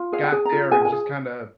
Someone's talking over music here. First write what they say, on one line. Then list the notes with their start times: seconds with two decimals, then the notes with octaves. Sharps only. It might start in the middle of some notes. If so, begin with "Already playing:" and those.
got there and just kinda
Already playing: F4
0.12 G#4 F5
0.23 G5
0.32 G#4 G#5
0.45 A#5
0.52 F4
0.72 G#4 G#5
0.85 G#5
0.92 G#4